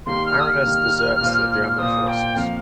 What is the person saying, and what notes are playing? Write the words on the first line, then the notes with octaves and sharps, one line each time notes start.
Marinus deserts the German forces.
D#3 G3 A#3 C6
F6
D#6
F6
D#3 G3 A#3
A#2 A#3 F4 C5
A#2 A#3 F4 C5 D#6
G5
F2 F3 A#3 F5